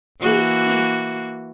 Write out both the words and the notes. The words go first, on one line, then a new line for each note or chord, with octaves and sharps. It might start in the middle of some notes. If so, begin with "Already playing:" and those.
He! he!
E3 A#3 F#4